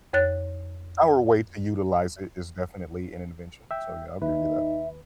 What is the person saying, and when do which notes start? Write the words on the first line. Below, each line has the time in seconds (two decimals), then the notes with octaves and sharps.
Our way to utilize it is definitely an invention, so, yeah, I'll give you that.
0.13 F2 C#5 F#6 A6
3.71 E5 G5
4.22 D#2 D#4 B4 E5